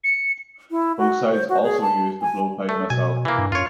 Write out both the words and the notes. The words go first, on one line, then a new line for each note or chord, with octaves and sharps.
Both sides also used the Blowpipe missile.
C#7
E4
F#4
C5
F#4
G#4
A5
G#5
A3
B2 G#5
E3 A#3
G2
F#2 F4 C#5